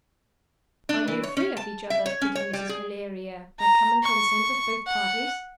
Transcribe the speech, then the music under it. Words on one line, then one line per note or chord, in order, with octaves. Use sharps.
"Are you free of each other, pretty Mrs. Valeria, by common consent of both parties?"
D4
E3
C#5
C#4
A5
E5
C#5
C#4
C#5
G3
G#4
A#5
C#6
F#5